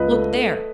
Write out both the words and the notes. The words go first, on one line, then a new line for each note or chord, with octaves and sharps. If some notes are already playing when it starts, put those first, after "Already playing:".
Look there!
Already playing: C#2 B4 D#5
A3
A3